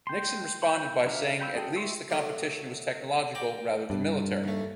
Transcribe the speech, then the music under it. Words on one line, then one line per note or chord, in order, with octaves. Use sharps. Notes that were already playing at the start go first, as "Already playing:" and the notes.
Nixon responded by saying at least the competition was technological, rather than military.
G5 C6
G5 B5 C#6
D4 A#4 E5 F5
F5 G5 B5 C6 E6
F#4 G#4 A4 G5
D#5 E5 C6 C#6 E6
F#3 A3 D4
D5 G5 A#5
G2
D#2 A3